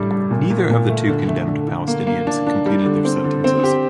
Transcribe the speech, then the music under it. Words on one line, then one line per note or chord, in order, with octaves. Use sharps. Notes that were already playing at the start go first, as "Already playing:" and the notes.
Neither of the two condemned Palestinians completed their sentences.
Already playing: A2 G3 D4
G3
A#2
A#2
A#2
A3
D3
A3
D3
D3
A#3
A#3
D4
D4
G3
D3
C4
D3
C4
G4